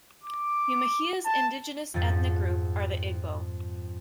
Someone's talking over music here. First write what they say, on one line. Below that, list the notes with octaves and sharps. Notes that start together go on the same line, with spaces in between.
Umuahia's indigenous ethnic group are the Igbo.
D6
A5
F2 G#2 F3 A6